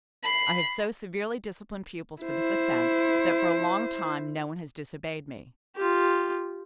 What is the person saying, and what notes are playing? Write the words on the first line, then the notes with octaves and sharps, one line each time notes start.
I have so severely disciplined pupils for this offence that for a long time no one has disobeyed me.
B5 C7
E4 C5
F4 G4